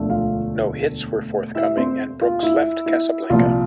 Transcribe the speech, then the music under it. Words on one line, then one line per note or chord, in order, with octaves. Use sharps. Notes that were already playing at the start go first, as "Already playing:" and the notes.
No hits were forthcoming and Brooks left Casablanca.
Already playing: E1 D2 D3 F3 A3
F4 F5
E4 E5
C4 C5
F4
E4
E4
C2 A#2 F3 F4